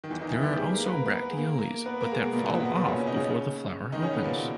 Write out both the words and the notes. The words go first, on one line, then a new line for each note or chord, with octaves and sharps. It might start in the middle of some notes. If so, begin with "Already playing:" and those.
There are also bracteoles but that fall off before the flower opens.
D#3
E2 E3
D#3 D#4
E3 E4
G3 G4
G#3 G#4
A#3 A#4
B4
A#3 A#4
B3 B4
G#4
A#3 A#4
A#3 A#4
A#3 A#4
B3 B4
A#3 A#4
G#3 G#4
B2 B3
A#2 A#3
B2 B3
B2 B3
B2 B3
A#2 A#3
C#3 C#4
C#4
D#4
C#3 C#4
D#3 D#4
C#3 C#4
B2 B3
A#2 A#3